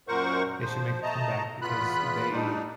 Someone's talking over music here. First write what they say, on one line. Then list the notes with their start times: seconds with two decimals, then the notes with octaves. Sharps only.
they should make a comeback because they
0.08 F#2 A#2 A#4 C5 F#5 C#6
0.61 F3 C5
1.03 A3 D#5 A5 A#5
1.62 E2 B3 F4 B5 F#6
2.31 G3 D4 D#4